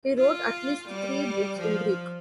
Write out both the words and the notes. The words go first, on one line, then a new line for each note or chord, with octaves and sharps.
He wrote at least three books in Greek.
F4
G3
F3